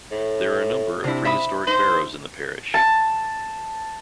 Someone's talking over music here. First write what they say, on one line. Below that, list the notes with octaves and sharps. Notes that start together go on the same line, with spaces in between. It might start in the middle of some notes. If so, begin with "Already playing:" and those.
There are a number of prehistoric barrows in the parish.
A2
C3 D4 E4
E5 B5 D#6
D#4 C5
A5